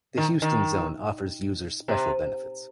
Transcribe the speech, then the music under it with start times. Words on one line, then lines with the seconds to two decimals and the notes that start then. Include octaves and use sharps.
The Houston Zone offers users special benefits.
0.17 D#3
0.42 D#3
1.88 C3